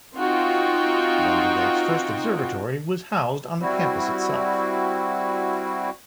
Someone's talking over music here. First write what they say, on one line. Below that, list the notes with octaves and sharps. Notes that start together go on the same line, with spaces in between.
Vanderbilt's first observatory was housed on the campus itself.
C4 D#4 F4 F#4 G5
G3 C4 E4 F#4